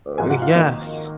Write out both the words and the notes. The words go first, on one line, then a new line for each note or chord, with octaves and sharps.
Oh, yes,
G#1 G#2 F3 G#4 G#5
F#4 F#5
F4 F5
D#3 A#3 D#4 D#5